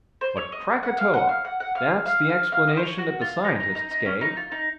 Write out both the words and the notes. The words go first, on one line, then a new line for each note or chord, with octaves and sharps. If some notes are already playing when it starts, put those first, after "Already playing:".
But Krakatoa: that's the explanation that the scientists gave.
C5
C#5
D#5
F#5
F5
F#5
F5
F#5
F#5
F5
F5
F5
F5
F5
D#5
C5
C#5
F#4
F4
D#4
D#4
D#4
D#4
C#4
D#4
F4
D#4